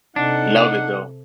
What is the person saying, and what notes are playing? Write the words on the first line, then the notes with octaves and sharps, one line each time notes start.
Love it, though.
C3 D4 D#4 A4 F#5